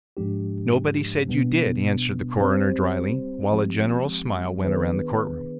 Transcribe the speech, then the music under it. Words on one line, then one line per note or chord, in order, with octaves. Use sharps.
"Nobody said you did," answered the coroner dryly, while a general smile went around the courtroom.
G#2 F3 G#3 D4 G4
B2 G3 B3 D4
G3 C4 G4 C5
F3 G#3 C4 G4
D#3 B3 D4 G#4 B4